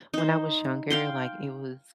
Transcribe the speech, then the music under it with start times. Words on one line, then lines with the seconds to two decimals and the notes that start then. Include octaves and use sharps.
when I was younger, like, it was,
0.14 D#4 C5
0.90 F5 G5 C6